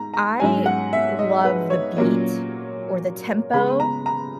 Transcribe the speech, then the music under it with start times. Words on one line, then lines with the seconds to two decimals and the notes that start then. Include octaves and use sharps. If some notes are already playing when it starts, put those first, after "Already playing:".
I love the beat or the tempo,
Already playing: G#2 A#5
0.14 A#5
0.40 G#2 F#3 C#4 G#5
0.66 F#5
0.93 E5
1.19 D#5
1.45 B4
1.70 C#5
1.97 A#2 F#3 A#3 C#4
3.53 C#3 G#3 B3 B5
3.80 A#5
4.06 A#5